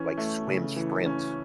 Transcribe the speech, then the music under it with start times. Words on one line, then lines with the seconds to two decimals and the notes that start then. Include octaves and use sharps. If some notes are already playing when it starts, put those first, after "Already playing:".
like swim sprint
Already playing: E3 C#4
0.17 A3
0.47 C#3
0.76 E3
1.06 C#4